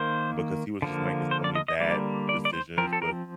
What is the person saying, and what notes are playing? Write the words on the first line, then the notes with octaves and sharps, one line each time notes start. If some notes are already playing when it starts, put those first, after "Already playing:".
because he was just making so many bad decisions with
Already playing: D#3 A#3 C5
D3 F3 A#3
C5
D5
D#5
D#5
D3 G3 A#3 D5
D5
D5
C5
F3 C4 A#4
A4
A#4